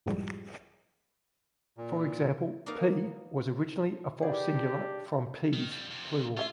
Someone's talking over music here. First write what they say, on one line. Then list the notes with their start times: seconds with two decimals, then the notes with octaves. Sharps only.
For example, "pea" was originally a false singular from "pease" pl.
0.06 G#1 F#2 A2 F3 G3 G#3
1.77 A#2
2.66 A#3 B3 D#4 A#4 D5 F5
4.22 D4 G4 G#4 B4 D5
5.53 D#3
5.72 F2 G3
5.91 F2 C3
6.37 A3 C#4 F4 E5